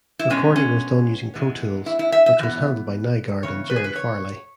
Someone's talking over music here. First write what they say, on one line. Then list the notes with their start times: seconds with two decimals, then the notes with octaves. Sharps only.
Recording was done using Pro-Tools, which was handled by Nygard and Jerry Farley.
0.19 E4
0.30 B2 G#3 B3 C#4
0.56 C#4
1.34 E3 G#3 B3
1.86 E4
1.99 E4
2.12 E5
2.26 E5
2.39 E3 B3
3.43 C#3 E3 B3 C#5
3.70 B4
3.76 G#4
3.84 B4
3.96 C#5